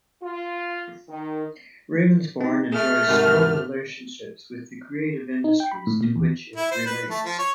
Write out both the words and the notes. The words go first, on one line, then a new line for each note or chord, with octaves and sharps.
Ravensbourne enjoys strong relationships with the creative industries to which it relates.
F4
D#3
C4 D#4
A3 G#4 F6
G#2 C3 F#4 A#4
D#4
G5
B5
A2
A#2
E2
E4
C5
B4
A3
F3
C#5